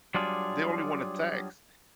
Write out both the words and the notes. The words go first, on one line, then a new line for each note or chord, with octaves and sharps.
They only want to text
F#3 G3 D4 F4 G#4